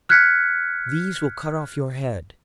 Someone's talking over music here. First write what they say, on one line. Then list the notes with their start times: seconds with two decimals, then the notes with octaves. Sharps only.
These will cut off your head.
0.09 F6 F#6 G#6 B6 C#7